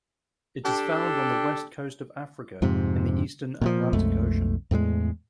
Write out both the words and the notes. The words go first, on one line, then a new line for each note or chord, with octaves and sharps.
It is found on the west coast of Africa in the eastern Atlantic Ocean.
D4 G4 A4
F2 G#2 C3
A#2 E3 F3
B1 F2 G#3 A3
E2 A2 F#3 G#3